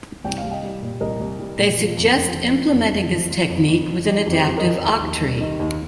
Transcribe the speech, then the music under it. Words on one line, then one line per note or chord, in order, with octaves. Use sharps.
They suggest implementing this technique with an adaptive octree.
C2 G5
F5
C2
D#5 G5
G3
A#2
C2 A#4 D#5
C2
G3
A#2
F3 F4
F2
F2
F4
F3
F3
F2
F2
F3
F3 F4
F2
F2
F3
F3 D#4 G4
F2
G4 C5
F2
A#4 D#5
F3
D#2
D#2
G3
D#3
D#2